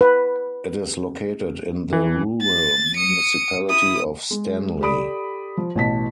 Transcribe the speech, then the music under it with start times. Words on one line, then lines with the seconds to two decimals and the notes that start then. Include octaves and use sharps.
It is located in the Rural Municipality of Stanley.
0.01 B4
1.93 E3
2.42 A6
2.95 D#6 C#7
3.69 E4 D#6
4.31 G#3
4.81 G4 A4 D5 B5 D#6 D7
5.57 F3
5.75 A1 B2 A5 B6